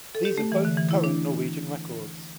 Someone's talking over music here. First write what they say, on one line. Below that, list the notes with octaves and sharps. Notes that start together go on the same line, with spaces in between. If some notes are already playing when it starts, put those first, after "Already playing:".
These are both current Norwegian records.
A4
G4
A3
E3
D3
E3
E4
D4